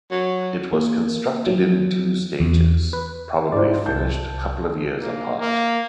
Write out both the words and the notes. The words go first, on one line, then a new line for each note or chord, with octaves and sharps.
It was constructed in two stages, probably finished a couple of years apart.
F#3
A#3
F#3
E2
B4
G#2 E4 C5 D5
C2 A5 G6
A#3
A#3